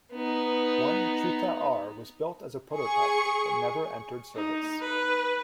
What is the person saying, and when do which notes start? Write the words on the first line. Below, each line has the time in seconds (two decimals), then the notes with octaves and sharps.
One Cheetah R was built as a prototype but never entered service.
0.13 B3 D#4
2.75 G#4 C#6
4.35 D#4
4.81 B4